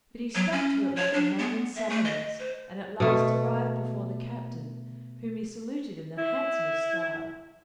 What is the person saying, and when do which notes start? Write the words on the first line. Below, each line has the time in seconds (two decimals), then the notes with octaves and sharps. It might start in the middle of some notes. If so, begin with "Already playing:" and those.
But he stuck to it like a man in silence, and at last arrived before the captain, whom he saluted in the handsomest style.
0.35 F#3
0.52 C#4
0.96 C#5
1.14 D4
1.39 B3
1.75 E5
1.89 A3
2.04 D#5
2.40 C5
3.00 B2 A3
6.18 E4